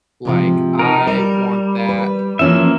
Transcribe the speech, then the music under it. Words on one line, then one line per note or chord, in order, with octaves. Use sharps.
like, "I want that
G#2 C3 F3
D#4 A#4
G3 A#4
B4
E3 F3 A#3 C#4 E5